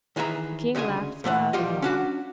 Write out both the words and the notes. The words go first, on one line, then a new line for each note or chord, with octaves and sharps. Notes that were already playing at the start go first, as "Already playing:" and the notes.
The king laughed loud and long.
D#3 E3 G#4 E5 A#5
D2 C#3 E4 D#5 G#5
A#2 A3 E5 F#5
F3 G3 F4 D#5
C#4 D4 F#4